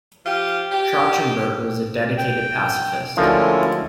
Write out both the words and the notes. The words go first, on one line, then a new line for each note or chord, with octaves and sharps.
Trachtenberg was a dedicated pacifist.
F3 F4 G4
G4
G5
D2 F3 G#3 C#4 E4 A4 A#4 F5